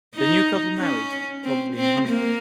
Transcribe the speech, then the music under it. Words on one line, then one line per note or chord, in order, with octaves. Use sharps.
The new couple married, probably in Hungary.
D#4
C#4
C4
C4
A#3